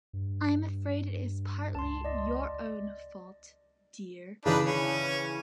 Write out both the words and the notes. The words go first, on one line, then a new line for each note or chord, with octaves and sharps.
I'm afraid it is partly your own fault, dear.
G2
C#2 A5 C6
D5 D#5
C#3 E3 D4 D#4 B4
C#4